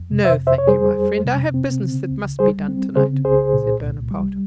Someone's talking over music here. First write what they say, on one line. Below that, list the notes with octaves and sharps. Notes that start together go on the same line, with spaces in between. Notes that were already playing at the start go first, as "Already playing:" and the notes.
"No, thank you, my friend; I have business that must be done tonight," said Bonaparte.
Already playing: F2
C3
C5 E5
F2
C5 E5
C#5
G3 G#4 C5
F2
C3
C4
C#3
C#2
G3 G#4 C5
C4
C#3 G#4 C5
C2 G#4 C5
A#2
C2
G3